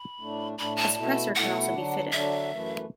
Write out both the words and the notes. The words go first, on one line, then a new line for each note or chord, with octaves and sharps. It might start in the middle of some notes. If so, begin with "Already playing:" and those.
A suppressor can also be fitted.
Already playing: B5
A2 A3 D4
A2 A3 D4 B5
A5
B2 A3 E4
B2 A3 E4 F#5
D3 F#3 D4
D3 F#3 D4 E5
F#2 E3 A3